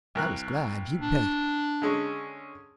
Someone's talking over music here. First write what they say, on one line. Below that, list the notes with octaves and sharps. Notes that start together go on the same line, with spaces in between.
I was glad, you bet.
C2 A#4 F#6
D4
D3 G#3 C#4